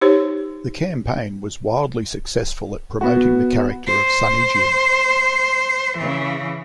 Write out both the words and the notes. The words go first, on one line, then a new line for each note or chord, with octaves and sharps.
The campaign was wildly successful at promoting the character of Sunny Jim.
D#4 G4 C5 C#5
B3 F#4
C5
C#3 E3